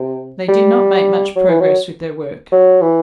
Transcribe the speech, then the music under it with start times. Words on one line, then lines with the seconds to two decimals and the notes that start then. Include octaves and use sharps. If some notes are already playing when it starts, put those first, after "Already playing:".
They did not make much progress with their work.
Already playing: C3
0.49 G3
1.36 F#3
1.48 E3
1.60 F#3
2.52 F#3
2.81 E3